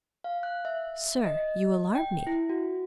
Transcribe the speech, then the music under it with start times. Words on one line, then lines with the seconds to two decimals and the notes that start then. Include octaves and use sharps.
"Sir, you alarm me."
0.24 F5
0.43 F#6
0.65 E5
1.26 D#5
1.95 G5
2.27 E4
2.50 F#4